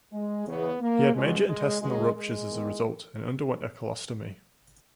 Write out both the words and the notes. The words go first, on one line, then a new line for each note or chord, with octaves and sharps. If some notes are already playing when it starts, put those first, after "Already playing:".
He had major intestinal ruptures as a result, and underwent a colostomy.
G#3
E2 C#3 E3 B3
A#3
C#2 B2 G#3
G#3
C#2 B2 G#3
G#3
E2 D#3